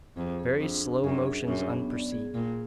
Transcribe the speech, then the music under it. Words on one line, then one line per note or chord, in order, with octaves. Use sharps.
Very slow motions unperceived.
F2 G#4
G#4
F2 D4
D4
F#2 G#4
G#4
F#2 D4
B3
D5
G#4
A#2 G#4